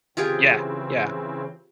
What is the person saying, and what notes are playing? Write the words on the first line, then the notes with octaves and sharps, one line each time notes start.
yeah, yeah.
C#3 E3 C4 F4 G4 G#4